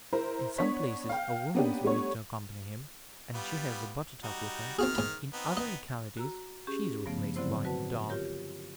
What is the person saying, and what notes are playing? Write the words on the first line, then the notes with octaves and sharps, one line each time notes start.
In some places a woman is believed to accompany him, and she has a butter-tub with her; in other localities she is replaced by a dog.
E4 A#4 C5
B3 D4 C#5 B6
F5 G5
A#3 B3 C#4 D4 G4
G3 A3 B3 D4 C#5
G3 B3 F4
G3 D#4 F#4
D#3 C4 F#4 G#4 F6
G#2 B5
B3 C4 D#4
D#5
F#4 A#5 E6
C#4 G4 G#4
G2 C#3 F3 A3 B3
D3 F#3 B3 C4 E4 C5
F#4 B4 F#5 A5
F4 G4 A#4 C#5